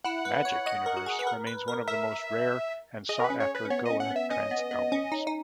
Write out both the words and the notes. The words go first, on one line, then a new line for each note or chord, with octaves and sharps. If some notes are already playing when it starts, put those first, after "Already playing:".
Magick Universe remains one of the most rare and sought after Goa trance albums.
E4 F#5
B4
C#5
D#5
A#4
F#4
G#4
B4
A#4
B4
A#4
A#4 E5
G#4 D#5
A#4
B4
C#4
C#5
B4
C#4
B3 C#5
C#4 D#5
F#5
B3
E5
C#4 D#5
B3
B3
C#4
D#4
D#4